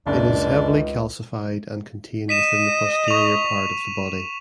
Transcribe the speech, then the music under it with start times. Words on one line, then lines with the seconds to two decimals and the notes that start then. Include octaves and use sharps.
It is heavily calcified and contained within the posterior part of the body.
0.07 F#1 C#2 D4
2.29 D#5 B6 D#7 E7
3.08 C#6 F7